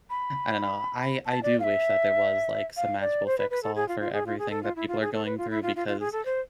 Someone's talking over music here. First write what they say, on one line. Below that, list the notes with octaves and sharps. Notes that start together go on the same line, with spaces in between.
I don't know. I I do wish that there was, like, some magical fix all for everything that people are going through because,
B5
A5
D5
F5
E5
F5
D5
C5
B4
B4
A4
G#4
F4
F4
G#4
F4
G#4
A4
F4
E4
F4
G#4
A4
B4
F4
E4
F4
F4
F4
G#4
A4
C5